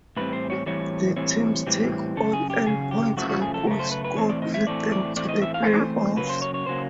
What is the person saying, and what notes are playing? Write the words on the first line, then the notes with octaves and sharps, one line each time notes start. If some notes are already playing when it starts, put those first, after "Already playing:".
The teams take all earned points and goals scored with them to the playoffs.
A2 E3 G3 C4 B4
C5
C#5
A2 E3 G3 C4 C#5
A2 E3 G3 C4 C#5
A2 E3 G3 C4
F#2 C#3 A4
G#4
G4
F#2 C#3 G#4
G4
F#2 C#3 F3 A3 F#4
F#4
G#4
A4
F#2 C#3 A3 A#4
C5
B4
B4
A2 E3 A3 C4 C#5
D5
D#5
E5
A2 E3 A3 C4 D5
D5
A2 E3 A3 C4 D5
D#5
E5
F5
A2 E3 A3 C4 C5
F#2 C#3 F#3 A#3 B4
C5
C#5
C#5
C#3 F#3 A#3 C5